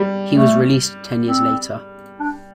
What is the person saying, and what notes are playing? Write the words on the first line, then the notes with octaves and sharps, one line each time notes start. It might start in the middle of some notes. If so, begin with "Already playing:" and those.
He was released ten years later.
Already playing: G3
A3
C4
D4